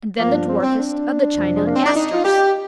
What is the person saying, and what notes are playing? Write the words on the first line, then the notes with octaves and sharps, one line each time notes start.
And then the dwarfest of the China Asters.
G2 F3 A#3
D4
C4
C4
D4
F2 C3 F3
G#3
A#3
C4
D4
D#4
F4
G4